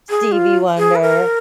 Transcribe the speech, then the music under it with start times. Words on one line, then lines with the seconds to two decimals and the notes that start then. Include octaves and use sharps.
Stevie Wonder.
0.09 G#4
0.32 F4
0.78 G#4
0.95 B4
1.01 A#4